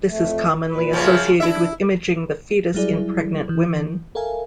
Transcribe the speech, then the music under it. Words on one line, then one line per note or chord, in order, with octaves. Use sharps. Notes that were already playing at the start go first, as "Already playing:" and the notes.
This is commonly associated with imaging the fetus in pregnant women.
F2 A3
A#2 B4
F#2 C#3 F3
D4 E4 E5
F#3 G3 E4 G#4 D5
E3
A4 A#4 E5 F5 G#5